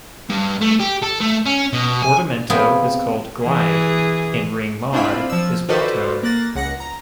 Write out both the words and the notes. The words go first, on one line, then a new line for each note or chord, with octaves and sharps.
Portamento is called "Glide" and Ring Mod is "Bell Tone".
G2
A3
G4
A4
A3
C#4
B2
G#5
B3 C4 F4 G#4 E5 G5
E3 G#4
C4 D4 E4 F4 B5
F3 E6
F4 F#4 A4 B4 C5 D5
A#3 F#6 A6 A#6
C#2 F#5 A#6 C#7
A#5